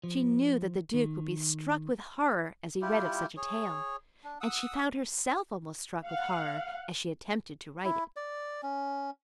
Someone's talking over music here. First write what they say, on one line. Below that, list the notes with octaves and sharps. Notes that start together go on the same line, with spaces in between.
She knew that the Duke would be struck with horror as he read of such a tale, and she found herself almost struck with horror as she attempted to write it.
F3
D#3
G3 E4 F4 G4
G#4 C#5
D4
F#5 D#6 E6
F5 F#5
E4
D5
C#4